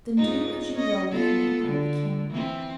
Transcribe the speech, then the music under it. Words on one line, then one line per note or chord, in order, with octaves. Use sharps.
"Then do as you will with me!" cried the king.
G#2 D#4 F4
C#4 D#5
B3 F4 A4
D3
E3 C4